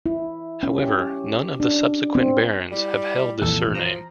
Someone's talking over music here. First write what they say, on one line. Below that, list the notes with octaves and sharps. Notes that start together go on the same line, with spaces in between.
However, none of the subsequent barons have held this surname.
E4
C#4
G4
D4
C4
G3 E4
C2 F2 A#2 E3 A4
F3 A#5